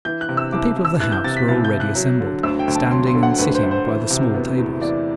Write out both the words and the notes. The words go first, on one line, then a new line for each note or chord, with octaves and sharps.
The people of the house were already assembled, standing and sitting by the small tables.
E3 G6
F#6
C3
E6
C2 D6
C2
E6
E3 F#6
G6
C3 A6
B6
C2 A6
G6
C2
F#6
F#3
D3
D2 E6
G5
D2
A5
F#3 C6
C6
D3
F#5
D2 B4
C5
D2
C5
E3
C3
B3
E2
E3 D5